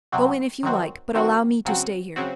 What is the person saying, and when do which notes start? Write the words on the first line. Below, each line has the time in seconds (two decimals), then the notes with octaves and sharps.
"Go in, if you like, but allow me to stay here."
0.12 C3 F#3 C4 F#4
0.63 D#3 F#3 C4 F#4
1.15 D#3 F#3 C4 F#4
1.65 C#3 F#3 C4 F#4
2.16 C#3 F#3 C4 F#4